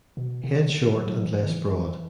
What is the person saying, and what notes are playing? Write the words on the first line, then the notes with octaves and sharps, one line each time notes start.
Head short and less broad.
B2
C3
D3
F#3
E3
D3
E3